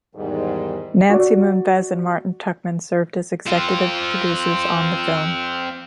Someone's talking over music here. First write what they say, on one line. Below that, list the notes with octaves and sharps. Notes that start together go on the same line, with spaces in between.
Nancy Moonves and Martin Tuchman served as executive producers on the film.
E2 G#2 D#3 G3
F#4 D5
C4 F4